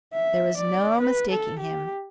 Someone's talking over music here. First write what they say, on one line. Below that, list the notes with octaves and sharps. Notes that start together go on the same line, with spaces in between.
There was no mistaking him.
E5
D5
B4
A4
G4